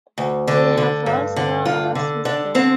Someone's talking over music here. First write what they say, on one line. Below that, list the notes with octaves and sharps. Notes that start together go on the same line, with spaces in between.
They have won several awards since then.
D2
D3 D4
D3
G2
D3
G2 F4
D3
D3 D4
D3 C4